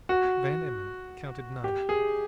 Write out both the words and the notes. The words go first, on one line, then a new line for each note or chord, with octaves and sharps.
Van Emmon counted nine of them.
F#4
G4
G#4